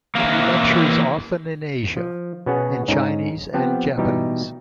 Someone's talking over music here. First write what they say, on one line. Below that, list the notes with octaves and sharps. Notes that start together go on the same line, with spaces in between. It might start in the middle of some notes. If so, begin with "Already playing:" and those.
He lectures often in Asia, in Chinese and Japanese.
E3 A#3
F3
B2 B3 C#4 F#4 G#4 F#5
G#2 C#4 D#4
F3 B3 C4 G4 F#5 A5
B2 E3 G3 D#4 G4